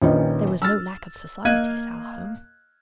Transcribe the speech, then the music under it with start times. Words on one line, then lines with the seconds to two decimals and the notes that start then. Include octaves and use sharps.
There was no lack of society at our home.
0.02 A#1 A#2 D#3 C#4 B4 D#5
0.62 E6 F6 A6
1.45 A#3 D#5 F5 F#6 G#6 D#7